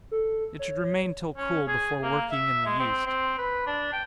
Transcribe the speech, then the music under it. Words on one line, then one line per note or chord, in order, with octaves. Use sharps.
It should remain till cool before working in the yeast.
A4
C#5
C#4
G#4
A#3
E5
G#3
C4
C4
B4
D4
G5